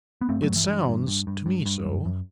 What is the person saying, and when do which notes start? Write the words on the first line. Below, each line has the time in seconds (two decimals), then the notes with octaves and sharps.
'It sounds to me so.
0.21 B3
0.29 G2 A3 C4
0.42 F#3 A3
0.49 G2
0.56 E3
0.68 G2
0.88 G2
1.07 G2
1.27 G2
1.46 G2
1.66 G2
1.85 F#2
2.06 F#2